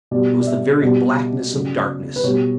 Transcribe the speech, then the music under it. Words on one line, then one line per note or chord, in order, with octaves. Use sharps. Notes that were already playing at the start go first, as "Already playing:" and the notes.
It was the very blackness of darkness.
B2 G3 D5
D5
E5
B2 G3 D5
C#3 F#3
B4
B2 G3 C#5